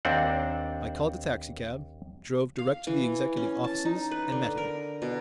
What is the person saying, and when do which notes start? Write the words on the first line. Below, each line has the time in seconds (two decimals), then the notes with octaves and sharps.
I called a taxicab, drove direct to the executive offices and met him.
0.05 D#2 C4 D4 C5 F#5
2.58 F5
2.87 E3
3.37 C#4
3.64 A5
3.85 D#4
4.11 B4
4.32 D3
4.58 A#4
5.02 B2